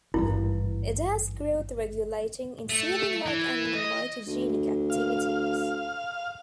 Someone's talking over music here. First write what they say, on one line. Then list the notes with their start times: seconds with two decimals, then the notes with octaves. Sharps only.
It has growth-regulating, insulin-like and mitogenic activities.
0.14 G#1 E2 G2 E4
2.69 A3
3.26 E3
3.75 D#5
4.26 D2
4.90 F5